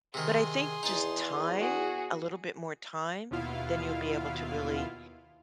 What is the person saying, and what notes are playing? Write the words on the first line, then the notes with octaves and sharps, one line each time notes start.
But I think just time, a little bit more time, then you'll be able to really
C3 D#3 G#4 C6
E2 D#4 A5
F#4 G#4
D#2 B2 B3 E4 F4 F5